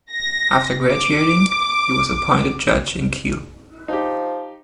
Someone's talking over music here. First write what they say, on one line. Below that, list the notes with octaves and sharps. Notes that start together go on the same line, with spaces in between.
After graduating, he was appointed judge in Kiel.
A#6
D6
F3 D#4 G4